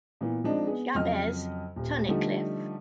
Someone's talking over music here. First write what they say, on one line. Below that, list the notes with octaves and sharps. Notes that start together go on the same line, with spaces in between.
Jabez Tunnicliff.
A#2 E3 B3
F3 G#3 C4 D4 D#4
B3 G#4
F2 C#3 F#3 D#5 F6
D#1
D3 F3 G3 A3 D#4 G4